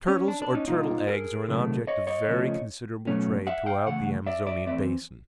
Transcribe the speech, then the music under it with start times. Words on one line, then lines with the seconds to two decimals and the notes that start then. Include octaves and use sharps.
Turtles, or turtle eggs, are an object of very considerable trade throughout the Amazonian basin.
0.08 C#4
0.28 D4
0.42 D4
0.54 C#4 D#4
0.68 B2 G3 A#3 D#4 F4
1.08 G#4 A#4
1.48 C3 D#3 F#3 A3
1.87 C#5 D#5
2.07 C#5 D#5
2.28 C#3 F3 A3
3.07 B2 F#3 A3 C#4
3.47 E5 F#5
3.66 F5 G5
3.87 C#3 E3 A3 F#5
4.26 D5 E5
4.46 D5 E5
4.67 E3 A3 C4 D5 E5